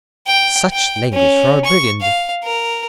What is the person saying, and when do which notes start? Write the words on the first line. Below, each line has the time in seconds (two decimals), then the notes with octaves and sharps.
Such language from a Brigand!
0.26 G5
0.72 G5
1.13 C#4
1.64 C#6
2.01 F5
2.43 A#4